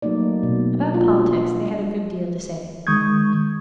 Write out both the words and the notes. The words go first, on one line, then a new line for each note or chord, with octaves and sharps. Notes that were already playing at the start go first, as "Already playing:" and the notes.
About politics they had a good deal to say.
F#3 A3 A#3 D#4 D5
B2
A#3 D4 F4 F#4
D#3 G#3 C#6 D#6 G6 G#6